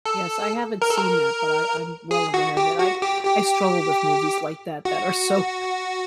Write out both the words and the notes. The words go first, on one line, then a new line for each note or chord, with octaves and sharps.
Yes, I haven't seen that, but I I'm well aware of it. I I struggle with movies like that that are so,
A4
A#4
A4
A#4
G#4
F#4
G4
F#4
G4
G4
F#4